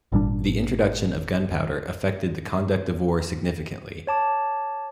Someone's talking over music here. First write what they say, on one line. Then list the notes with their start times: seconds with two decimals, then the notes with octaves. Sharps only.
The introduction of gunpowder affected the conduct of war significantly.
0.12 G#1 A#2 G3 D4
4.07 C#5 A5 D6